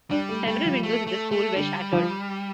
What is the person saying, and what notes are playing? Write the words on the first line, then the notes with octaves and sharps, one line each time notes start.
Several windows at the school were shattered.
G3 D4
A3
G3 A3
F3
A3
A3
A3
D3 G3
F3